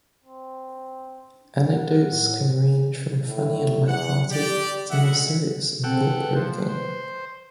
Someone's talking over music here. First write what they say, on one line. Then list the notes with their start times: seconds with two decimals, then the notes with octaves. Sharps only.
Anecdotes can range from funny and light-hearted to more serious and thought-provoking.
0.24 C4
1.68 A#4 F#5
2.11 A2
3.28 A2
3.87 E2 F#5
4.31 G3 G4 D5
4.89 D2 G#3 E5 F#5
5.84 C4 A4 F#5 G5
6.09 B4
6.36 F3
6.69 C5